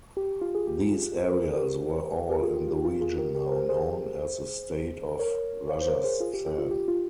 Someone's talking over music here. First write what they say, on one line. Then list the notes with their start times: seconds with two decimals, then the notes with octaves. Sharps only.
These areas were all in the region now known as the state of Rajasthan.
0.17 G4
0.41 F4
0.55 G#4
0.67 G4
0.92 F4 G#4
1.17 C5
1.30 A#4
1.43 G#4
1.56 G4 A#4
2.30 G4 A#4
2.42 F4 G#4
2.56 G4
2.68 F4
2.85 F4
3.01 F4 G#4
3.18 G4 A#4
3.35 G4 A#4
3.46 C5
3.52 G4 A#4
3.69 G#4 C5
5.19 A#4 C#5
5.70 C#5 F5
5.81 C5
5.87 A#4 C#5
6.04 G#4 C5
6.20 F4 G#4
6.33 G4
6.46 G4
6.58 F4
6.71 G4
6.88 F4